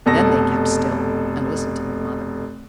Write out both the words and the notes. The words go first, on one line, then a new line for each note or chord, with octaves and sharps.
Then they kept still and listened to their mother.
F1 B2 A4 A#6